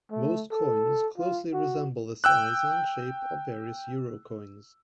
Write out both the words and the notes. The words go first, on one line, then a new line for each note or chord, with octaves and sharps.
Most coins closely resemble the size and shape of various euro coins.
A3
A4
F4
F#4
G5 E6 F#6